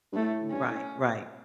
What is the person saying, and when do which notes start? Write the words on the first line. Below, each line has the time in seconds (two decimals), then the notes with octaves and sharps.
Right. Right.
0.13 G2
0.16 A2 A3
0.51 G2 C#4
0.69 A2